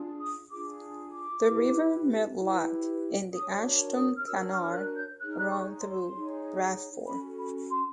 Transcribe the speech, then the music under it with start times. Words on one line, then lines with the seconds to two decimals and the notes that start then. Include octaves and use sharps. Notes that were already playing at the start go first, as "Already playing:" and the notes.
The River Medlock and the Ashton Canal run through Bradford.
Already playing: D4 F4 G#4
0.20 D#6
0.51 D4 F4 G#4 D6
1.13 D6
1.45 E4 G4 B4
2.38 E4 G4 B4
3.32 D4 F#4 A#4 C#5 D#6
3.63 D6
3.94 D#6
4.17 F6
4.26 D4 F#4 A#4 C#5 E6
4.49 F6
4.73 F#6
4.96 G6
5.19 D#4 G#4 C#5 F#6
5.29 F6
5.38 F#6
5.51 C#6
5.81 C6
6.14 D#4 G#4 C#5
7.06 C#4 F#4 A4 B5
7.38 B5
7.70 C6